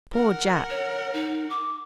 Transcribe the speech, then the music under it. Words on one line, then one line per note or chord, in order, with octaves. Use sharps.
Poor Jack!
A#4 F#5
C#5
D#4
D6